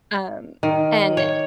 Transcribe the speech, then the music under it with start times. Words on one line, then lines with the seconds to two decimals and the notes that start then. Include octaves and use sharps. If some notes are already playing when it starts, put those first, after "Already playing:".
Um, and
0.63 D#3
1.17 C#5